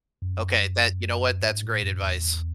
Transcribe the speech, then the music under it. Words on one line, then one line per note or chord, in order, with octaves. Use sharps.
Okay, that you know what, that's great advice.
F#2
G#2
A2
F#2
E2